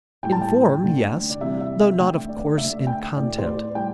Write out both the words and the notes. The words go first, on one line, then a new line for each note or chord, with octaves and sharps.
In form, yes, though not of course in content.
A2 G3 G5
A5
G5
D3 A3
D5
C3 E3 G3 E5
E5
E5
D3 A3 G5
D5
D5
D3 A3 E5
G5
A2 A3 D5
C5
D5
A2 G3 G5